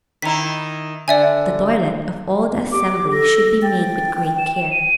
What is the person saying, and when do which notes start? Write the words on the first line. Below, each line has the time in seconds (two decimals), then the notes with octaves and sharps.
The toilet of all the assembly should be made with great care.
0.22 D#3 E4 A#5 B6
1.08 D3 D5 E5 G#5
2.72 G4 D6
3.12 A4 A#6
3.62 G5 A6
4.38 E7
4.71 D#7